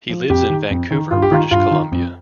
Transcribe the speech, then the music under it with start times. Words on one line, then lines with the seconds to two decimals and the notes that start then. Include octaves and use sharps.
He lives in Vancouver, British Columbia.
0.10 F3
0.30 F2 G4
0.50 D#3
0.70 F2
0.91 D#3
1.11 G2 F4
1.22 G4
1.31 D#3 F4
1.51 G2 F4
1.71 D#3
1.92 F2